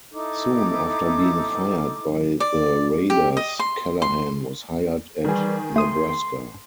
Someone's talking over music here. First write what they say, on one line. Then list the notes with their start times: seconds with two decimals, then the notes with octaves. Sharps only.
Soon after being fired by the Raiders, Callahan was hired at Nebraska.
0.12 D#4 E4 A4 D6
2.40 D5
3.10 G4
3.37 D#5
3.59 C6
4.02 C6
5.24 D#3 E3 G3 G#4
5.76 A3 C6 D#6 D#7